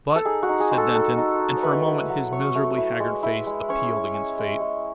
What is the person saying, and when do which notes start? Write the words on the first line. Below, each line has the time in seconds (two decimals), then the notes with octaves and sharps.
"But--" said Denton, and for a moment his miserably haggard face appealed against fate.
0.16 A4
0.25 D#4 G#4
0.43 F#4
0.49 D#4
0.60 G#4
0.71 G#3
0.78 A4
0.94 D#4 A4
1.18 D#4
1.40 D#4
1.57 C#5
1.63 E4 B4
1.87 E4
2.09 F#3
2.31 A3 C#5
2.55 A3
2.78 E4
3.00 G#3
3.23 E4
3.47 G#3
3.69 C#4 C#5
3.93 E4
4.14 C#4
4.38 G#3
4.61 G#3